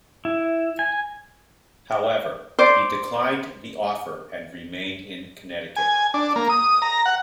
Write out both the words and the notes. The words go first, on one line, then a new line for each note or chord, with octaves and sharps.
However, he declined the offer and remained in Connecticut.
E4
G#5
C5 D5
G#5
D4
A#3
D#6
A#5
F#5